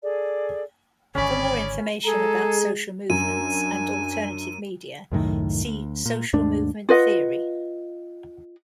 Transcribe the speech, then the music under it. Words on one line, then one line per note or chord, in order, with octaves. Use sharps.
For more information about social movements, and alternative media, see Social movement theory.
G#4 A4 D5
G#1 D3 C#4 G#4 C#5 D5 B5
G#3 G#4 A4 A#5
F#2 D4 G#5 D#7
C#2 F#2 A2 D#3
D2
A#2
D#2 G#2 A3 D4
F4 B4 D#5 F#5